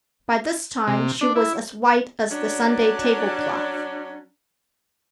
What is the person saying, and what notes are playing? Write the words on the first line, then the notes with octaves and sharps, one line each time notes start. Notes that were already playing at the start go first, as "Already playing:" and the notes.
By this time she was as white as the Sunday tablecloth.
C3
D4
E4
F#3 C#4 D4